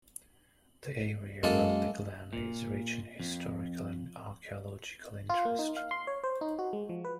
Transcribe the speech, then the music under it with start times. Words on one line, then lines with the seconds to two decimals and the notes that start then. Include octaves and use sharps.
The area around the Glen is rich in historical and archaeological interest.
1.43 F#2 G#3 A#3 A4
2.33 A#2
3.19 F2
5.29 F4
5.45 A#3
5.59 D#4
5.77 F5
5.91 C6
6.07 C#5
6.24 C5
6.41 D#4
6.59 F#4
6.73 G#3
6.89 F3
7.05 B4